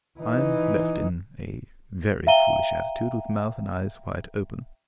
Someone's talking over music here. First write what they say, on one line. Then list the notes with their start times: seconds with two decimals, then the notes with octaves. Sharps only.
I am left in a very foolish attitude, with mouth and eyes wide open.
0.19 E3 D#4
2.27 E5 F5 G5 A#5 D#7 G7